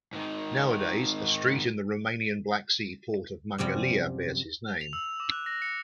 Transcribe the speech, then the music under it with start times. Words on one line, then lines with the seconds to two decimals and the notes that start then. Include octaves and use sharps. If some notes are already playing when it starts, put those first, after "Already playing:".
Nowadays, a street in the Romanian Black Sea port of Mangalia bears his name.
0.13 G#2 D#3
3.58 F#2 C3 F3 G3
4.81 F7
4.93 E6
5.20 D6
5.32 F#6
5.46 A#6
5.62 C#7